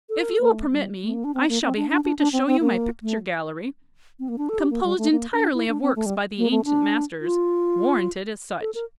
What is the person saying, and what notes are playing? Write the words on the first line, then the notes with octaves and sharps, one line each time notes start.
If you will permit me, I shall be happy to show you my picture gallery, composed entirely of works by the ancient masters--warranted as such.
A4
A#4
A4
A#3
A3
G3
A3
A#3
D4
C4
A#3
C4
D4
D4
D4
D4
C4
C4
A#3
A3
C4
A#3
D4
A4
G4
A#3
G3
A3
A#3
D4
E4
D4
C4
A3
G3
A#3
A3
D4
F4
A4
A#4